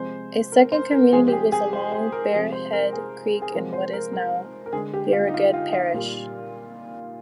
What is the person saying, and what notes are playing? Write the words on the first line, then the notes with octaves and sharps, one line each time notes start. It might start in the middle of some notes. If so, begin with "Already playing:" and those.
A second community was along Bearhead creek in what is now Beauregard Parish.
Already playing: C3 F3 G#3 C5
A#4
C5
A#4
C3 F3 G#3 G#4
G4
G#4
G#4
C5
C5
A#4
C3 F3 G#3 G#4
C5
A#4
G#4
G#4
C3 F3 G#3 A#4
C5
A#4
A#4
A#4
D3 G#3 G#4
G4
F4
D#4
F4
F4
F4
A#2 G3